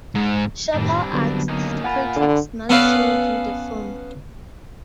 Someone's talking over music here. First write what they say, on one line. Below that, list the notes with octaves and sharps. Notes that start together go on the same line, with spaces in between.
Chappelle asked critics not to review the film.
G#2
F#2 A2 D#3 G3 C4 D4
D3 F#3 B3
A#3 C#4 D#4
A#2 F4 F#5 G#5 B5
D3
B3 C#4 A4 B4 D5 F5